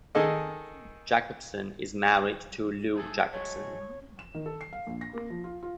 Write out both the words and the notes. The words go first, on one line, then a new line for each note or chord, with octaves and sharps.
Jacobson is married to Lou Jacobson.
D#3 G#4 A4 D#5
A3 G#4 A4
F#3 G#3 A3 C#5
E7
D#3
A4
C7
F5
A#1
A#6
A#3
F3
F4
F4